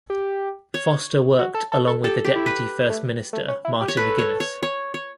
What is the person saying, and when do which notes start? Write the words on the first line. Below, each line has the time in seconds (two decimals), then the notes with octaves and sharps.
Foster worked along with the deputy First Minister Martin McGuinness.
0.10 G4
0.74 C#5
1.39 F#4
1.55 A4
1.72 A4
1.87 A4
2.04 G4 A4
2.24 G4
2.36 E4
2.46 B4
2.90 A3
3.33 A3
3.48 C#4
3.65 E4
3.81 G4
3.88 C#5
3.97 A4 B4
4.19 C#5
4.40 C#5
4.63 C#5
4.94 C#5